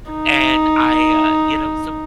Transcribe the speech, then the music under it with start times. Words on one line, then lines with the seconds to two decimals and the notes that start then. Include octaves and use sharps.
and I, uh, you know, so
0.11 D#4